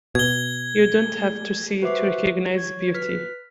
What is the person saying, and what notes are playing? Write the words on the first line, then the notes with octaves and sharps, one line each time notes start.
You don't have to see to recognize beauty.
B2 G#6 G7
F#4 B4 C5 E5 D6 C7
C#5 G#6
B4 F6 B6